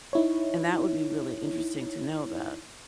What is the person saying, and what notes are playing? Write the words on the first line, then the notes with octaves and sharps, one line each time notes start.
and that would be really interesting to know about.
D#4 E4 C#5